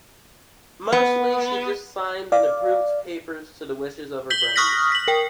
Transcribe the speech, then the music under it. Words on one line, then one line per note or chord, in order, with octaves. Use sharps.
Mostly she just signed and approved papers to the wishes of her brothers.
B3
D5 F5
G6 B6 F#7 G7
C#6 D#6 F6 F#6 A#6 B6
B6 F#7
A#4 G5